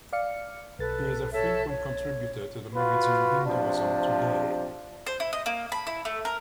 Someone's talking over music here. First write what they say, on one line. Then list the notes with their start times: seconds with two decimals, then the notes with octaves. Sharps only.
He is a frequent contributor to the magazine "Hinduism Today".
0.13 D5 F5 C#7
0.79 B1 A4 B4 A6
1.33 A4 C#5 E5
1.68 C#5
2.76 F4 F#4 B4
3.46 C3 F3 D4
5.06 C5
5.20 E4
5.33 D#5
5.46 A#3
5.72 B5
5.87 E4
6.05 A3
6.25 A#4